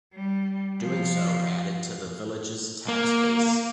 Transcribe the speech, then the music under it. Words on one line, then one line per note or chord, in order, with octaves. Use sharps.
Doing so added to the village's tax base.
G3
F3
A#3